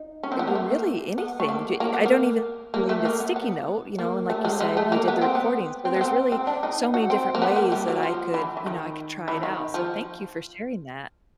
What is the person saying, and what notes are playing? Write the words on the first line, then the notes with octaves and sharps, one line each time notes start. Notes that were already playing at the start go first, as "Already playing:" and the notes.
r really anything, j I don't even need a sticky note, you know, and like you said, you did the recording, so there's really so many different ways that I could you know, I could try it out, so thank you for sharing that.
Already playing: D#4
C#4
C4
B3
A#3
A3
A#3
B3
A3
A#3
A#3
B3
A#3
A#3
A3
A#3
B3
B3
A#3
A3
G#3
G#3
A3
A#3
B3
C4
B3
C4
B3
C4
C4
D4
D#4
F#4
C4
A#3
B3
A#3
G3
F#3
F3
E3
E3
D#3
E3
D#3
F3